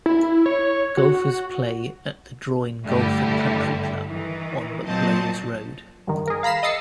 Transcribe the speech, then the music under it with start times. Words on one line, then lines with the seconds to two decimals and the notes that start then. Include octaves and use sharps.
Golfers play at the Drouin Golf and Country Club on Mcglones Road.
0.06 E4
0.46 C#5
0.97 F#4
2.86 G2 D3 G3 A3 E4 G4
4.07 D#3 E3
4.86 A#2 F#3 C4 D#5 A5
6.07 G2 D#3
6.28 G#4 A#4
6.43 F5 A#5 B5 C7 E7
6.63 D#5 D#6 E6 A6 C7 C#7